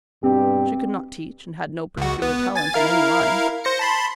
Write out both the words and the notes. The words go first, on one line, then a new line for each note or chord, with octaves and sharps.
She could not teach and had no particular talent in any line.
G2 B2 C4 G4
C#2 F#4
B3
G#5 A6
E4 A#4 F5
C5 A#6 C#7
A5 B5 C6